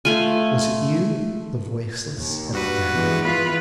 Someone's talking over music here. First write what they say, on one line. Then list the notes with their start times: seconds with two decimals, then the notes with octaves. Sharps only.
Was it you, the voiceless and the dead?
0.05 A3 F4 G#5
2.16 D#2
2.53 G2 F#4 B4
2.93 E3 G#3 B3
3.23 F4 B4